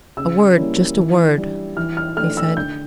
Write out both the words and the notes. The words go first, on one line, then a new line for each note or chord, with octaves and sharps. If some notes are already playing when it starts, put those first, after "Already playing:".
"A word--just a word!" he said.
C#3 E6
G3 A#3 C#4 E4
E3
G3 D4
E3 F6
F6
A3 D4 F6
E6
D3 G6